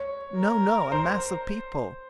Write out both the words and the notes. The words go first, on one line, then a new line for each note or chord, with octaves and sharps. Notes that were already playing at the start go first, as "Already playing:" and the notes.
"No, no; a mass of people."
Already playing: C#5
A#4
C5